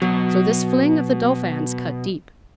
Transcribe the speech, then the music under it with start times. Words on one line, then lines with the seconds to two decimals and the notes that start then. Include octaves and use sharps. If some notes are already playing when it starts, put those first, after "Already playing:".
So this fling of the Dauphin's cut deep.
0.02 B2 F#3